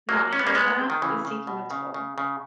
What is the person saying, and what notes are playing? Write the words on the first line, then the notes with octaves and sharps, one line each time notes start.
not have that is taking a toll.
F#3 A#3
C#4
B3
A#3 C#4
G#3 B3
D#3
C#3 E3
C#3
B2
C#3
C#3
C#3